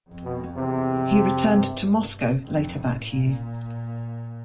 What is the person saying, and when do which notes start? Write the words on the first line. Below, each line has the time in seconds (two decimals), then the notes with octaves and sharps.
He returned to Moscow later that year.
0.09 F2
0.25 B2
0.56 E2 C3
1.03 F2
1.51 G2
2.45 F2
2.75 A2
3.08 A#2